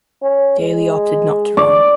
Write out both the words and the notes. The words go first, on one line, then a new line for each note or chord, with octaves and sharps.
Daley opted not to run.
C#4
G#3
D5